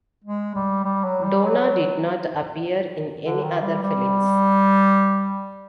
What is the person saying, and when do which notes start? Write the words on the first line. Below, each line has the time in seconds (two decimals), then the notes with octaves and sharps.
Donna did not appear in any other films.
0.24 G#3
0.55 G3
0.85 G3
1.04 F#3
1.23 G3
1.44 F#3
3.23 D3
3.43 D#3
3.62 G3
3.83 G3